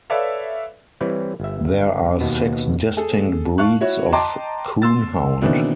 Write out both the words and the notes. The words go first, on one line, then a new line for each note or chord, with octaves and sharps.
There are six distinct breeds of coonhound.
A4 B4 C#5 D5 E5 F5
E3 G3 C4 E4 B4 C#5
G1 E5
D#2 B2 B3
G#4 A4
F5 A5 C#6 F#6
E4 F#4 C#5
D#5 G5 A5 A#5 C6 D6
C6 E6 A6
B2 D#3 E3 A#3 C4 D4